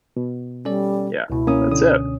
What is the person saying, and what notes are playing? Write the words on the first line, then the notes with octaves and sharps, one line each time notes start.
Yeah, that's it.
B2
G3 C#4 A4 D5
C#2 B2 E4
A#3 C#4 D#6
D3 D#6